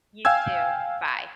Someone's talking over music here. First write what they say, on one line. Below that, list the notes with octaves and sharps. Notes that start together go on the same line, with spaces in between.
You too. Bye.
F5 G5 G#5 E6 G#6